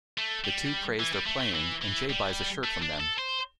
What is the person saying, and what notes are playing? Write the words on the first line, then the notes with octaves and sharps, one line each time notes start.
The two praise their playing and Jay buys a shirt from them.
A3
G3
E3
G3
A3
A3
E3
E3
G3
A3
D4
A4
C5